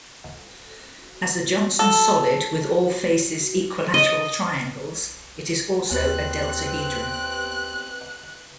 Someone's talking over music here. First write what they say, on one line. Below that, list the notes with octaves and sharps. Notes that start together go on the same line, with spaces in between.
As a Johnson solid with all faces equilateral triangles, it is also a deltahedron.
A4
D#5
D#2 B3 C4 G4 B4 F#6